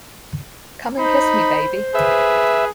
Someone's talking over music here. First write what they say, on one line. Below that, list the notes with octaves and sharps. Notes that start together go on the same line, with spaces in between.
Come and kiss me, baby.
D#4 C5 B5
G#4 B4 E5